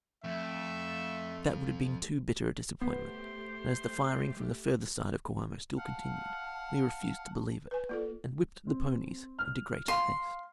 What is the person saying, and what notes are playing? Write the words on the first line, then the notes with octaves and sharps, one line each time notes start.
But that would have been too bitter a disappointment, and as the firing from the further side of Coamo still continued, we refused to believe it, and whipped the ponies into greater haste.
F2 A3 E5
A3 B3 G4 C5
F5 F#5 A5
B4 G#5
A#3 F4 A4 D5
C4
F6
F5 C6